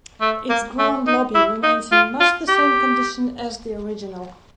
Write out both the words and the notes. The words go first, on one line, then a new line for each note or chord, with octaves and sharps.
Its grand lobby remains in much the same condition as the original.
A3
A#3
A3
D#4
E4
D#4
F4
F4
G4